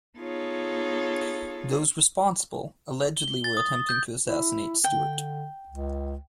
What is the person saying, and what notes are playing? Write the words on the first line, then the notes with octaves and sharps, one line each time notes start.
Those responsible allegedly were attempting to assassinate Stewart.
B3 D#4 F4 G#4 A4 C#5
G7
A6
D#6
G6
E4
D3 G5
C#2